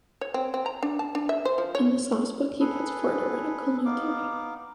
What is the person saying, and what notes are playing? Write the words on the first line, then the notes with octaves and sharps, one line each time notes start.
In this last book he puts forward a radical new theory.
C#5
C4
C4
A#5
D4
A5
D4
E5
C5
F3
C#5
G#4 A4 B4
B3 D#4 F5 D6